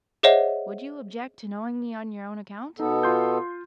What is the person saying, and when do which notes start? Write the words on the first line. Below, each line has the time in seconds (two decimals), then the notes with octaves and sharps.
"Would you object to knowing me on your own account?"
0.23 G#4 C5 C#5 D#5 E5 F#5
2.79 B2 B3 D#4 A4
3.03 F4 C6 G6